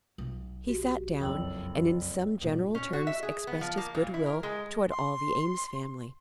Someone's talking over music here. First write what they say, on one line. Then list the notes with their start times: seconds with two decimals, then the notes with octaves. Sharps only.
He sat down, and in some general terms expressed his good-will towards all the Eames family.
0.18 B1
0.67 F#4 G4
1.21 F#1 F2 G5 E6 F#7
2.41 G2 A#2 B3
2.75 C#4
2.93 F#4
3.07 E5
3.23 G#4
3.47 B3
3.61 F3
3.77 A#3
3.95 A#2
4.14 E4
4.26 A#4
4.43 G#3
4.91 C6